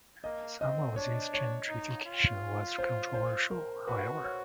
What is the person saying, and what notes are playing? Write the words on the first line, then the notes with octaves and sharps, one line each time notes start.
Some of this gentrification was controversial, however.
A#3 D#5
C4 D#5
D4 C#5
C#5
D#4
F4
C5
C5
A#4
F#4 B4
C#5